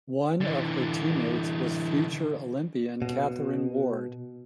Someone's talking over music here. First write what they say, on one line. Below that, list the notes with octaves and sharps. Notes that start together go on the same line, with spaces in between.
One of her teammates was future Olympian Catherine Ward.
D3 E3
B2